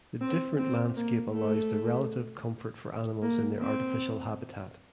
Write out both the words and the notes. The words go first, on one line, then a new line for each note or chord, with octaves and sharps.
The different landscape allows the relative comfort for animals in their artificial habitat.
C4
C4
A#3
A3
A#3
C4